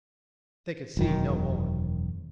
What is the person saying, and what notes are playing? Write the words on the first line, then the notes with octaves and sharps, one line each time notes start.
They could see no more.
E1 F#2 D#3